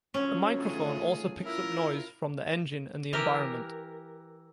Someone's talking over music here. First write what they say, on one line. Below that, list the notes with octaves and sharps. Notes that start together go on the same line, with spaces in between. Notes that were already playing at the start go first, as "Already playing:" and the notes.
The microphone also picks up noise from the engine and the environment.
D3 F3 F#3 C#4
D#3 A3 B3 F4 G#4
E4 F4 A#4
E3 G4 A#4